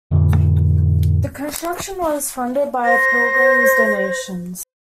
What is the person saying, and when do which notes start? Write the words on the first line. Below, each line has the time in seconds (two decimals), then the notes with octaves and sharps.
The construction was funded by pilgrims' donations.
0.11 F2 A2 D3 E3
2.85 C5 A#6